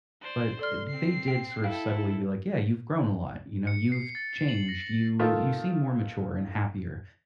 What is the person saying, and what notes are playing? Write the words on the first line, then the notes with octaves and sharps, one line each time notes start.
But they did sort of subtly be like, "Yeah, you've grown a lot," you know, "You've changed, you you seem more mature, and happier."
C5 D5
A4 D5 C6 F6
C4 C7
G5
E4 A4 F5 G5
C#7
C7
A6
F#7
A#6
D#3 A3 F4